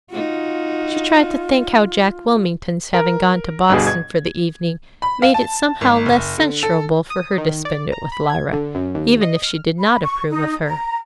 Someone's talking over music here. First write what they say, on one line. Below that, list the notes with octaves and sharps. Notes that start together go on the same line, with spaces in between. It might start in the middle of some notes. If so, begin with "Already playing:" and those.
She tried to think how Jack Wilmington's having gone to Boston for the evening made it somehow less censurable for her to spend it with Lyra, even if she did not approve of her.
D#4 F4 F#4
A#4
G1 G2 B2 G#4
G#6
B5
F5
A5
G#1
F#1
D3
A4
D#6
D#3
D5
A#5
B5
G#6
D3
F#2
D#2
D#5
F6
B5
C#6
D#4
A#5